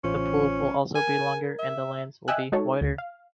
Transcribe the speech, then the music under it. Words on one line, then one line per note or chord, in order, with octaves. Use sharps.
The pool will also be longer and the lanes will be wider.
A1 C#4 F4 C5
A#4 G#5 G#6
E5
D#5 E5 G5 G#5 E6 F#6
G#3 D#4 F#4 A4 C#5
D2
F5